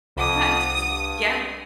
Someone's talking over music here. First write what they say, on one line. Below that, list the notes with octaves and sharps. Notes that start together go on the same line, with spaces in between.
Nice. Yeah.
C2 F2 F#5 D6 D#6
G2